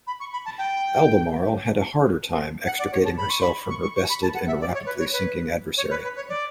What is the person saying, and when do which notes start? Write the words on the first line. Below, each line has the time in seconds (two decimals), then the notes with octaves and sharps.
"Albemarle" had a harder time extricating herself from her bested and rapidly sinking adversary.
0.07 B5
0.20 C#6
0.33 B5
0.45 A5
0.58 G5
2.66 F#5
2.79 D5
2.92 C#5
3.05 A5
3.17 B5
3.30 C#6
3.42 B5
3.70 C#6
3.82 C#6
3.96 C#6
4.09 B5
4.22 A5
4.34 F#5
4.47 E5
4.61 D5
4.74 C#5
4.86 B4
4.99 C#5
5.13 B4
5.77 C#5
5.90 B4
6.04 B4
6.16 C#5
6.29 D5